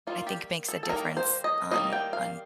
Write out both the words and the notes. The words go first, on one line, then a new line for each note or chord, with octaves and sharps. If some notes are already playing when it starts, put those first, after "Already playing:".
I think, makes a difference on on
D#3 G3 A#3 F4
G4
A4
A4
D#3 G3 A#3 A#4
C5
D#5
D#3 G3 A#3 D#5
G5
F5